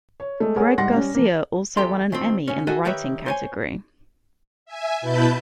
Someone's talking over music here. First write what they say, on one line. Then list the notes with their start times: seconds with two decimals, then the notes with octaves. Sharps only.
Greg Garcia also won an Emmy in the writing category.
0.20 C#5
0.40 G#3 A3
0.56 G#4 A#4 C#5 F#5 G#5
0.78 G#2 G3 F#5 C6 A#6
0.93 G3 C#4
1.15 F3 A#3
1.77 E2 G4 A4 A#5 C6
2.12 D#3 F3 C4
2.48 C#3 C#4
2.67 F#4 G#4 A4 E5 F#5 G#5
2.85 D#3 G4 B4 C#5 E5
3.26 C5 C#5 G#5
4.66 E5 G#5
5.01 B2 E4 B4 A5 B5 G6